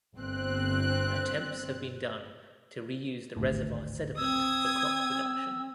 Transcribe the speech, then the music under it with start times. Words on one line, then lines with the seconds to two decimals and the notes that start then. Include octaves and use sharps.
Attempts have been done to reuse the reservoir sediment for crop production.
0.18 G1 C4 F#6
3.37 G#1 D2 A2
4.17 C4 D#6 E6 G#6